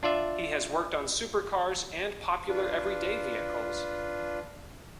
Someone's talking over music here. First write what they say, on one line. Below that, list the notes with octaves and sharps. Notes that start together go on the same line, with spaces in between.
He has worked on supercars and popular everyday vehicles.
D4 F4 D5 E5
D4 F4 B4